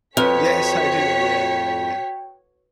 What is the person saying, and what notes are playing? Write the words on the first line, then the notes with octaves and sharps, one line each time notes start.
Yes, I do, yeah, yeah, yeah.
F2 F#4 B4 C#5 G5 F6 B6